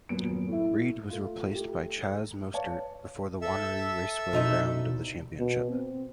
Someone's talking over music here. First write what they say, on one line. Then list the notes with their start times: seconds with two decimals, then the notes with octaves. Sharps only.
Reid was replaced by Chaz Mostert before the Wanneroo Raceway round of the championship.
0.09 D#1 F#2 B3 D7
0.48 A2 E4
1.10 A3 F4
1.55 A3 G4
2.54 B4 C#5 D5 F5 A5
3.42 A4 E5 E6
4.33 C2 B2 D#4 D#5
5.39 B2
5.71 C4